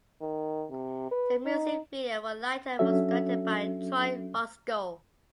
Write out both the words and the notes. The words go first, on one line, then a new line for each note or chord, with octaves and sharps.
The music video for "Lighter" was directed by Troy Roscoe.
D#3
C3
B4
D#4
F#3 C#4 D4 F#4 A4 E5